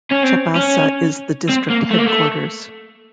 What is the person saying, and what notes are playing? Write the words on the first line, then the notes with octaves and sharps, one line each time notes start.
Chaibasa is the district headquarters.
C#4
C4
C#4
C4
A#3
A3
A#3
A3